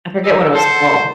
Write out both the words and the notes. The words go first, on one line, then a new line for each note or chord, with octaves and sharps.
I forget what it was called.
B4 D#5 G#5 E6
A4 C5 F#5 A5